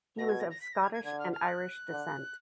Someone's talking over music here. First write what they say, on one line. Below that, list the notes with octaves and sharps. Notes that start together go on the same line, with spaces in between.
He was of Scottish and Irish descent.
B2 A#6
G#6
A#6
A#6
B6
A#6
G#6
G#6
D3 G#6
F6
F6
F#6
D3